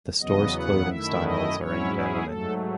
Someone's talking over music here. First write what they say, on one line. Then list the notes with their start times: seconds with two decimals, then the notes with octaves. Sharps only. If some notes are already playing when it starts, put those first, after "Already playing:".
The store's clothing styles are aimed at women.
0.20 E2 C#3 F#3 B3 D#5
0.54 F#5
0.88 F#2 D#3 A3 E4 E5
1.23 D#5
1.56 G#2 F#3 C#4 E4 C#5
1.91 G#4
2.24 G#2 F#3 A3 A4